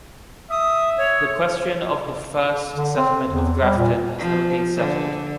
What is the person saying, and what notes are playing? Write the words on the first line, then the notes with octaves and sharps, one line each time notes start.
The question of the first settlement of Grafton has never been settled.
E5 D#6
C#5
D3
C4
E2
G3
A#2
F3
D3